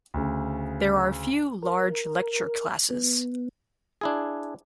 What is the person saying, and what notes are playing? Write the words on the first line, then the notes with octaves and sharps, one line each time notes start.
There are few large lecture classes.
D2 C#3
A#4
B3
D4 E4 G#4